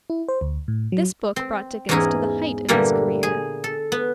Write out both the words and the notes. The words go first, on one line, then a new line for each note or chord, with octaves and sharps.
This book brought Dickens to the height of his career.
E4
C5
D2
A2
F#3
C4
E2 G#2 C#4 D#4 E4 G#4
G2 A#2 D3 G3 A#3 E4
G#4
A4
B3